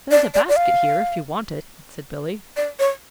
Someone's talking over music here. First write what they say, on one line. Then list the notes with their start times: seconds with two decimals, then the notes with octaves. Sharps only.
"There's a basket here, if you want it," said Billy.
0.11 D5
0.34 D5
0.49 D5
0.56 F5
2.57 D5
2.79 C#5